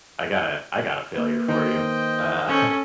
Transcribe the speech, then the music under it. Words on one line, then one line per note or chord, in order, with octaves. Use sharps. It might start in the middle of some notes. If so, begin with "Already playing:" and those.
I got a I got a failure for you, uh
A#3 B4
D#3 C5 D#5 G5
C#4 A4